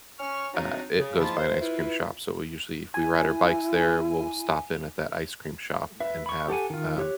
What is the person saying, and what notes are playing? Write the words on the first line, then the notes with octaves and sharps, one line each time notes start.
uh, it goes by an ice cream shop, so we usually if we ride our bikes there, we'll stop in at that ice cream shop and have, um
C#4 C#6 F6
F#3 C4 D4 D#4
C#3
G#2 F3 A#3 E4 F4 A5
C5
E4 F4 B4
E4 G#5
B4 E5
B5 C#6
G4 A4 F#5 G#5
D#3 F4
G4 C#5 F#6